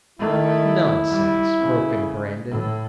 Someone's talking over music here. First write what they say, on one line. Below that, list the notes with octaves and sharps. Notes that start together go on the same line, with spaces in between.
"Nonsense!" broke in Brandon.
D#3 A3 E4
G3
C#3
A2